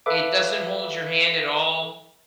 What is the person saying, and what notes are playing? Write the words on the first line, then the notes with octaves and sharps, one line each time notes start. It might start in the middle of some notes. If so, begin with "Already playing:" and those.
It doesn't hold your hand at all.
A4 B4 E5 F5 D6